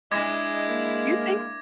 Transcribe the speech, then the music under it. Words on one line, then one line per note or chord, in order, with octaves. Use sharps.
Do you think
G#3 D4 E4 D#5 D6 G#6 A#6
A#3